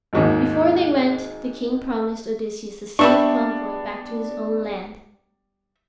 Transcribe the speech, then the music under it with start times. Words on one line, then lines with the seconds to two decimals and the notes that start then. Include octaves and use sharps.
Before they went the King promised Odysseus a safe convoy back to his own land.
0.13 G#1 D#2 G#2
2.99 G3 B3 D4 E5 C#6